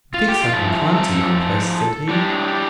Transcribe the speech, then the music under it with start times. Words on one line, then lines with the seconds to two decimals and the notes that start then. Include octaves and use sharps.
"Methinks I can climb to yon place," said he.
0.14 F4
0.28 G4
0.41 F4
0.53 F3 A3 E4
0.92 A4
2.09 A2 G3 D4
2.48 G4